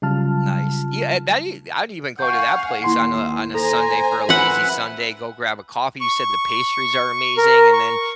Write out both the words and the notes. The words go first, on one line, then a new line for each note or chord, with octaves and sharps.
Nice. Yeah, uh, that i I'd even go to that place on a on a Sunday for a lazy Sunday, go grab a coffee. You said the pastries are amazing, and then
C#3 F#3 G3 F4 A5 F6
F5 F#5 G#5 C#6 G6
D#2 E4 C6 C7
A4 C5 G#5 A#5 A#6
B4 E5 F#5 B5
C#6
A#4
C#6